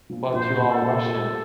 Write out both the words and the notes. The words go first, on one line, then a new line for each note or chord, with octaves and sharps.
But you’re Russian.
F3
A#2 C5
A#2
A4
A#2
G4